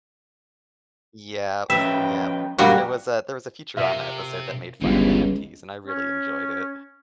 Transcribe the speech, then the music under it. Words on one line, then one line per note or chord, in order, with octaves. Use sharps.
Yep. Yep. There was a there was a Futurama episode that made fun of NFTs, and I really enjoyed it.
F3 C#4 B4 E5 G5
F#2 A#2 D#3 G3 A#3 F#4
C3 F4 A#4 E5
G1 C#2 F#2 E3
C#4